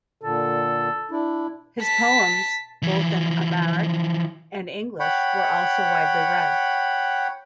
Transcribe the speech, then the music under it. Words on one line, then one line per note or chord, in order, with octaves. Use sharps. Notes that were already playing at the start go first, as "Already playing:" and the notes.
His poems, both in Amharic and English, were also widely read.
A#2 D3 A4
D4 E4
A5 B6
E3 F3
C#5 F#5 G5 B5